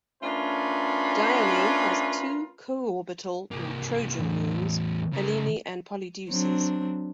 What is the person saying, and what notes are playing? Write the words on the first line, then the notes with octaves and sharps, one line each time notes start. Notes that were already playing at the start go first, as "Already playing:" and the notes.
Dione has two co-orbital, or trojan, moons, Helene and Polydeuces.
A3 C#4 D4 F4 A#4 B4
C2 A#3
E2 A2
C#3 A#4
F#3 C4 D4